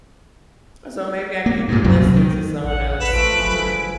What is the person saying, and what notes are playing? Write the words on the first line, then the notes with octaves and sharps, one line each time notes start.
So, maybe I need to listen to someone else Mhm.
A#3
G2 A#2
C2 F#2 A#2 F#3
D#3
A1 F#5
A1 B4 E7
A1 F3 A3 D7
F#1 G#4